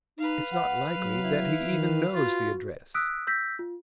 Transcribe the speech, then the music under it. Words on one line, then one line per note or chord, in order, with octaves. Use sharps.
'It's not likely that he even knows the address.'
D#4 B4 F5
F#5
F#3
E4
D#3
F4 F#4
D#6 E6 F#6 B6 D7
E6 G6 A#6 B6
F4